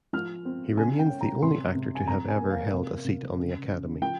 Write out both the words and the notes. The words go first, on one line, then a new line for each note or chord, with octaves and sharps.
He remains the only actor to have ever held a seat on the Academy.
F3 F6
C4
C#3 G#5
G5
C#4
A#5
C3 C6
C3
G#5
C3 A#5
G#5
A#3
F5
C3
C3
C#3
C#3
F3 G5